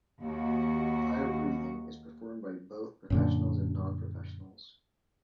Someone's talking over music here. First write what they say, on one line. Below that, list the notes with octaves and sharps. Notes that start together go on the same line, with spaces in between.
Fire breathing is performed by both professionals and non-professionals.
D#2 F#4
F#2 A#2 D3